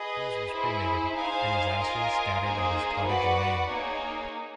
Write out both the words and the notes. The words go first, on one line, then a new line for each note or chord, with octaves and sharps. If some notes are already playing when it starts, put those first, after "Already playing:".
Coombs was cremated and his ashes scattered at his cottage in Maine.
Already playing: G#4 B4 D#5
E4 G#4 C5
D#4 G#4 C5 F5 G#5
F4 A#4 D#5 G#5
A#3 D#4 G#4 C5
F#4 B4 D5 F#5
A#3 D#4 G#4 C#5